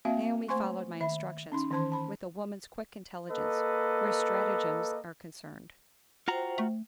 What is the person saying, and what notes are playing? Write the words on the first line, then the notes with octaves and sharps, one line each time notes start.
Naomi followed my instructions with a woman's quick intelligence where stratagems are concerned.
A#3 C4 F#4 E5 F5
A3 C5 G#5 C6 C#6
D#3 E5 B5
C#4 D#4 C6
D#3 E3 C#4 C5 A5 C6
A5 B5
A#3 A4 B4 D#5
F4 F#4 C5 G5 A#5
A3